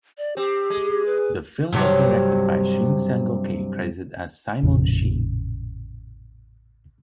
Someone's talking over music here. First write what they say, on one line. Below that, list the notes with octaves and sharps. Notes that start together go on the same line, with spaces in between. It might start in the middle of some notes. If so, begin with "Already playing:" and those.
The film was directed by Shin Sang-ok, credited as "Simon Sheen".
D5
C4 G4
G#3
B4
G2 C3 F#3
A1 F2 A#2 C#3